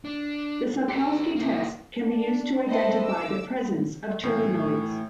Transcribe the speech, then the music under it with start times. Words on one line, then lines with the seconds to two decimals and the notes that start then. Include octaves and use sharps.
The Salkowski test can be used to identify the presence of terpenoids.
0.05 D4
0.89 G4 A#4
1.36 A#3 E4
2.08 D4
2.68 A4 B4 C5 D#5 E5 G5
3.06 D6 E6
4.23 A2 E3 A3 C7